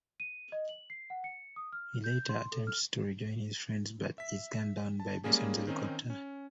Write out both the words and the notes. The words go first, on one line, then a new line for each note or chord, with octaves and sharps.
He later attempts to rejoin his friends, but is gunned down by Bison's helicopter.
D#7
D#5
F#7
C7
F#5
C#7
D#6
F6
G6
C6
A4
F6
E5 B6
A5
G3 G#3 A#3 C#4 G#4
D#3 C4 C#4 D#4
C#4